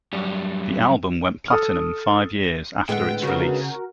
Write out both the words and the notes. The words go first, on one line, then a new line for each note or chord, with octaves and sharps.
The album went platinum five years after its release.
F#2 G3
A4 D#6 F6
A2 D3 G#3 B3 F#5 G5
C#3 F#4 A#4